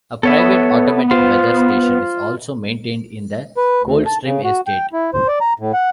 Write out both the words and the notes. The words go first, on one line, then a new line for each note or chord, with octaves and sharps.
A private automatic weather station is also maintained in the Coldstream Estate.
B3 A4 C#5 E5
F4 C5
B4
D2
A5
C#3
F#4
G5
E4
C5
D5
A#5
A2
F#5